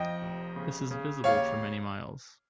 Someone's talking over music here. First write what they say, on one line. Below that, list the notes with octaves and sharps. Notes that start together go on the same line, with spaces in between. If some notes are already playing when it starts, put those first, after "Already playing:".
This is visible for many miles.
Already playing: F2 D#5 G5
F1
C#3
C#3
D#2 C#5 F5